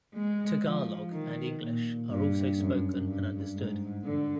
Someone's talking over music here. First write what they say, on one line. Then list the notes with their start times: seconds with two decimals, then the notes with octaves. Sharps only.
Tagalog and English are also spoken and understood.
0.14 G#3
0.63 F3
1.12 D#3
1.61 A#2
2.09 G2
2.58 F#2
3.07 G2
3.57 G#2
4.04 D3